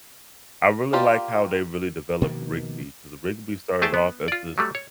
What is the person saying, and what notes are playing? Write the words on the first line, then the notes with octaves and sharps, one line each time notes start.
I really like how they really developed Rigby because Rigby started off as this
A#3 F4 G4 D5
B2 D#3 F3 A#3
A3 G#4 C5 E5 G5 A5
B3
F4 D5
F#3 G3 A3
C#5